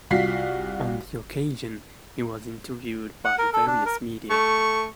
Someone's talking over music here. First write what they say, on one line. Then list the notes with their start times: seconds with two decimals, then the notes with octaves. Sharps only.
On the occasion, he was interviewed by various media.
0.10 C2 F4 F#4 F5 B6 C7
3.25 F#5
3.38 A#4
3.53 A4
3.67 D4
3.85 A#4
4.30 A3 C#6